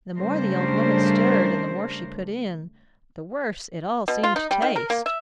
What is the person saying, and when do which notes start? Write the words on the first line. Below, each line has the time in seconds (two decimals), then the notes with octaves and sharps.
The more the old woman stirred, and the more she put in, the worse it all seemed to taste.
0.16 C#3 G3 A3 D4 A#4 C5
4.08 B2
4.23 F4
4.36 D#4
4.51 G3
4.62 D#3
4.76 A#4
4.90 A#3
5.06 E5